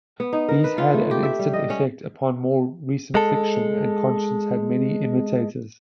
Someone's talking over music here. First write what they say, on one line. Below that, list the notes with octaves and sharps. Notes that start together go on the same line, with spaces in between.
These had an instant effect upon more recent fiction, and Conscience had many imitators.
B3
D#4
A#4
B4
F4
A3
G4
E5
G3
D#5
C#4
G#3 A4